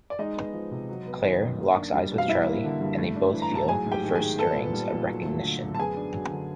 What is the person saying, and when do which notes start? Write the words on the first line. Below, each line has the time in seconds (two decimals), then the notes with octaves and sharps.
Claire locks eyes with Charlie, and they both feel the first stirrings of recognition.
0.10 D5
0.19 G#3 D#4 D#5
0.36 B3
0.53 F3
0.71 C3
0.89 F#3
1.06 B3
1.24 D#3
1.41 F#2
1.58 A#3
1.76 D4
1.94 G3
2.11 B2
2.18 F5
2.28 G3 E4 E5
2.46 A#3
2.64 D3
2.81 G2
2.98 A3
3.16 D4
3.34 E3
3.42 A#5
3.52 A2 A5
3.68 F#3 G#4 G#5
3.86 G#2
3.92 G4 G5
4.04 D#3
4.15 G#4 G#5
4.21 G#2
4.39 B3 A4 A5
4.56 A#2
4.74 G3
4.92 A#2
5.09 F#3
5.26 A3
5.43 D3
5.61 F#2
5.75 A5
5.78 B3 G#4 G#5
5.97 D4
6.14 F#3
6.31 D3